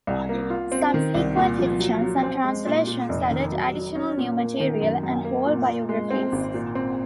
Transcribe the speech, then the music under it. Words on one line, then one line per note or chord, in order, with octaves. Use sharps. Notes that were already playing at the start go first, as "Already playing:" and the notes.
Subsequent editions and translations added additional new material and whole biographies.
C2
A#3
F4
C4
D#3
C2
A#2
F3
F#3
F#3
C4
G#3
A#2
A#2
F1
D#3
F#3
F#3
C#4
A#2
A#3
D#3
F#2
F#2
A#3
A#2
A#2
G#3
C4
G#1
A#2
C4